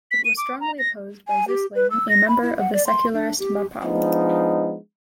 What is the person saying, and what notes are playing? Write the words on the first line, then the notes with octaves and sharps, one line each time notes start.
It was strongly opposed by Zisling, a member of the secularist Mapam.
B6
D#7
D6
A#5
A#6
G#5
G4
B4
E6
A#6
B5
E4
F#5
D5
C6
D4
G4
F3 G#3 B3 D4 D#4